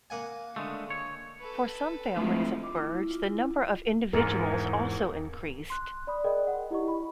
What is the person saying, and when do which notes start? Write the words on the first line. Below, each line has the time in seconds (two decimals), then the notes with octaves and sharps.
For some families of birds the number of individuals also increased.
0.10 A#3 F#5 G#5
0.56 D3 G#3 A3
0.90 C#5
1.40 A4 B4
2.17 A2 D3 F3 G#3 A3 C4
2.63 D6
2.76 E4
3.08 F4
3.22 E4
4.13 E2 G#2 A#4
5.70 C6 F#6
6.07 D5 B5 D#6
6.24 G#4 A#4 D5 D#5 G5
6.47 F#5
6.71 E4 G4 D#5 C#6
6.88 B5